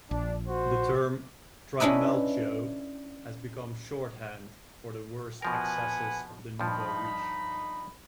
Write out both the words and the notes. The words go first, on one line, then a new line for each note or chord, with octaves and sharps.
The term "Trimalchio" has become shorthand for the worst excesses of the nouveau riche.
A#1 D4
F#4 C5
C#4 D4 E4 B4 D#5
B2 F3 A#4 B4 F#5 G#5
G2 F3 D#4 B5